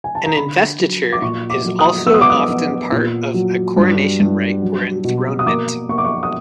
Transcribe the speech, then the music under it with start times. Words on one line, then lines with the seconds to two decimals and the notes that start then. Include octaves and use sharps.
An investiture is also often part of a coronation rite or enthronement.
0.04 G#5
0.15 A5
0.26 A#5
0.37 D3 B5
0.79 F#3
1.13 D6
1.22 A#2 C#6
1.50 D6
1.65 F#3
1.79 D#6
2.07 B3 E6
2.14 D#6
2.21 D6
2.30 D#6
2.49 B3
2.92 A#2
3.34 F#3
3.76 G2
4.20 G2
4.62 F#3
5.04 B2
5.39 D#6
5.46 A#3 D6
5.89 A#3 C#6
5.98 D6
6.04 C#6
6.23 D#6